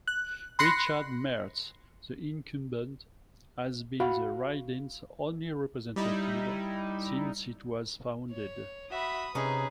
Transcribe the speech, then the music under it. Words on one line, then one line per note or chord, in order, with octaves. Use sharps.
Richard Marz, the incumbent, has been the riding's only representative since it was founded.
F#6
B5 C6 F#6 A#6 C7 C#7
F#4 F5 B5
G3 D#4 E4
C#5
F#4 E5 B5 D#6
C3 C#4 D#4 G#4 B4